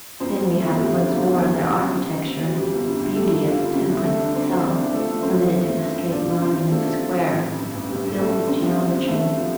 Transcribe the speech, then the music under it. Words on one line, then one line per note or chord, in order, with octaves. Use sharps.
Then we have it once more in their architecture, a beauty as of temperance itself, limited to the straight line and the square,--a builded geometry.
F2 C4 C5
F2
A3
G1
G3 A3 G4
C3 D4
G1 F4
G1
D2
G3
C3
C3
C3
C4
C3
D2
F2 G3 G4
G1
D3
G1 G4
D3 A3 A4
F2
D3 F4
D3
C3 G3 G4
C2
G4
C3 A3 A4
D4
C3 C4 C5
D4 C5
C3 D4 D5
C2
F3 A3 A4
A3
A3 C4 C5
F3
G2
A3
G2
G2
F3 D4 D5
F3
C3 C4 C5
D4
F3 A3 A4
C3
F3
C3
A1
A1
G2
A1
A1 G3 G4
G2
G2 A3 A4
G2
C4 D4 C5
C2
C4 D4 C5
C3
C2 A3 A4
C3
F3